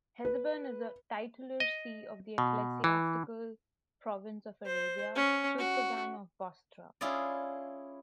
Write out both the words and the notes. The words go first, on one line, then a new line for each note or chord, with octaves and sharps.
Hesebon is a titular see of the ecclesiastical province of Arabia, suffragan of Bostra.
B4
D#5
B2
E3
C5
C#4
F#4
C#4 E4 F4 G#4 D5